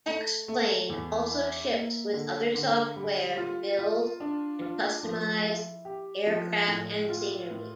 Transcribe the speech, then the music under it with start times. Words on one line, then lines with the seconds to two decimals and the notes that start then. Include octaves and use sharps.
"X-Plane" also ships with other software to build and customize aircraft and scenery.
0.07 A3
0.48 A3
0.89 E2
1.31 E4
1.72 A#3
2.13 D3
2.55 D3
2.96 G3
3.37 F4
3.79 F4
4.20 D4
4.61 F4
5.03 F3
5.44 E4
5.85 G4
6.26 F3
6.68 A2
7.09 F4
7.51 A2